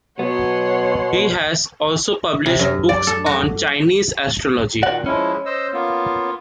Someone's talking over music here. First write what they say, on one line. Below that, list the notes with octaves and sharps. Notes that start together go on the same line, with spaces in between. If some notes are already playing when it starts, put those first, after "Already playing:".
He has also published books on Chinese astrology.
B2 F#3 B3 C#5 F#5 C6
C3
F#2
D5
A4
F#4
A#2 D#3 F#4 D5 F#5
F3 G#3 C#4 E4
C5 D#5 E6
A#3 B3 F4